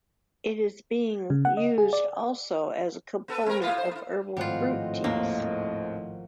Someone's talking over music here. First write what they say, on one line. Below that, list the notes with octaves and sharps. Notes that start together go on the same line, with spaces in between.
It is being used also as a component of herbal fruit teas.
C#3
F#5
D#5
G#4
D5
B3 A4 B4
C4 A#4
A2 E4 F4
C5
A#3 E4
G#1 A2 F3 G3 C4 F4 D#5 F#5
D#2 A#3